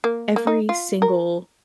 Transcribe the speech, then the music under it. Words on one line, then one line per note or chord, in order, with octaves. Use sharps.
every single
A#3
A#3
D#4
F4
A#4